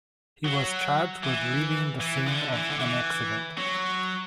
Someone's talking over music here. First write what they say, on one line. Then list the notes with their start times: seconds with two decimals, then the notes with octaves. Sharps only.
He was charged with leaving the scene of an accident.
0.45 F#3
1.24 E3
2.01 E3
2.28 D3
2.54 E3
2.71 D3
2.80 E3
3.58 F#3